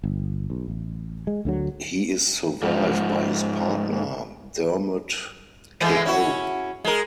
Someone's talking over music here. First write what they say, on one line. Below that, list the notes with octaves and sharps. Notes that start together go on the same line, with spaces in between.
He is survived by his partner, Dermot Kehoe.
G1
B1
A1
G#3
D2 D3 F#3
G#2 F3
E3 G#3 A3
C#4 E4 F#4
G#3 A#4